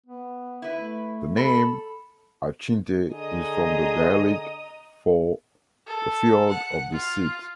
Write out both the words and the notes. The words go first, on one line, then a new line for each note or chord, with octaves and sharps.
The name Achintee is from the Gaelic for "the field of the seat".
B3
E4 B4
A3
A4 B5
D3 G#4 D#5 A#5 D#6
A4
F#5
F4